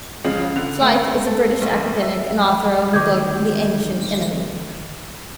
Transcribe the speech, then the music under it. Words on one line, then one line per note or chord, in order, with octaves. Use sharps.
Flyte is a British academic and author of a book, "The Ancient Enemy".
C#2 C#3 F3 G#3
D3
A3
A4
A#1
E5
D2 D#3 D6 G6 G#6